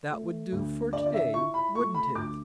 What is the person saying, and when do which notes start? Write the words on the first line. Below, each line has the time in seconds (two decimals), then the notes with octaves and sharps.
That would do for to-day, wouldn't it?
0.11 A3
0.52 D2
0.93 D3 D5
1.06 D5
1.14 E5
1.34 E4 C#6
1.54 B5
1.75 A3 C#6
1.95 B5
2.15 D2 D6